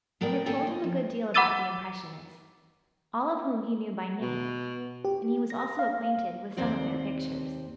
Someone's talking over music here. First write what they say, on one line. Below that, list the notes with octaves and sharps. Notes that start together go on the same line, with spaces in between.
I have told him a good deal about the Impressionists, all of whom he knew by name, and he was also acquainted with some of their pictures.
A2 B3 A#4 D5 G5
D#2 A#3 C4 A4 G5 G#5
D#5
F3
F#5 B5 D6 E6 A6 D#7
B2
G4
A#6
F5
D#2 C3 C4 C5 D5